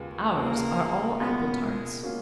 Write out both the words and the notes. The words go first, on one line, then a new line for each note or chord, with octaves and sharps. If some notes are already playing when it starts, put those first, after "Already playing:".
Ours are all apple-tarts.
Already playing: D#2 C#3 G#3 B3 F4
D#2 C#3 G#3 A#3 B3 F4
B2 A#3 B3 C#4 F4
G#3
B2 A#3 C#4 F4